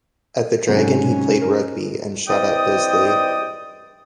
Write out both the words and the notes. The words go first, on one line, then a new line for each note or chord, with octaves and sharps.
At the Dragon he played rugby, and shot at Bisley.
G#2 C3 F#3 C#4
A#4
E3 C4 D5 D#5 G5 D#6